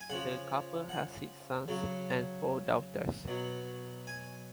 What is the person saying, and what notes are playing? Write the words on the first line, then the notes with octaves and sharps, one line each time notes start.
The couple had six sons and four daughters.
G#5
C#3 F3 F#5
F#5
C#3 F#3
B2 F#3
G#5